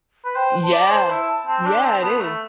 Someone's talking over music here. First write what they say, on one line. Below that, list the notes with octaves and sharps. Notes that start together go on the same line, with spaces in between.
Yeah. Yeah, it is.
B4
C5 G5
C5 A5
D5
C5 A5
E4
C4
D4
C4
C4
B3
A3